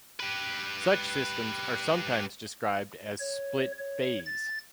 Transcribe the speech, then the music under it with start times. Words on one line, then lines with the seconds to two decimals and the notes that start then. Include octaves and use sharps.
Such systems are sometimes described as split-phase.
0.20 G4 B4
3.20 C#5
3.79 C#5
4.26 A6